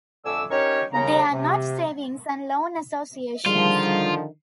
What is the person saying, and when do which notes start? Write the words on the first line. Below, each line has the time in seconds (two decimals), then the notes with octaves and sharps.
They are not savings and loan associations.
0.25 F2 D3 A3 G#5 D6 E6
0.50 C#4 D#4 G4 A#4 C#5
0.92 D#2 C#3 A#5
1.32 C3
3.46 D3 D#3 F3 G3 F4 G#4 D#5